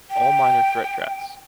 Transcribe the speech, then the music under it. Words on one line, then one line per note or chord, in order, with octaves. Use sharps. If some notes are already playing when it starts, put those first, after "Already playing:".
All Minor Threat tracks.
G5